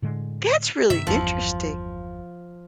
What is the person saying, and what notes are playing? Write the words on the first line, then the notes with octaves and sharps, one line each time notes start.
That's really interesting.
A2 D3 G#3
G2 C3 D#3 E5
G1 E2 F3